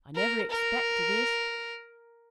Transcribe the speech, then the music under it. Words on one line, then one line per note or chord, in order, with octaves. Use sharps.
I never expected this.
A#4
A#4